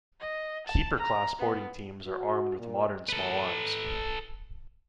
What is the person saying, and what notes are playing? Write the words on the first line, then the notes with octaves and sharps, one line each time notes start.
Keeper-class boarding teams are armed with modern small arms.
D#5
A5
A#5
B3
F#4
A#2
A4 B4